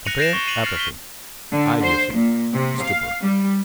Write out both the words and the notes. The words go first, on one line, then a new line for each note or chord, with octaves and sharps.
Compare APATHY; IDIOCY; STUPOR.
F#6 A#6 C#7 D#7 F7 F#7
G6 A6 A#6 C7 D7 E7
C#6 A#6 E7 G7
C7 D#7 F7 F#7
F6 A6 A#6 C7 C#7
B6 G7
D3
C5
A#2
C3
F5
G3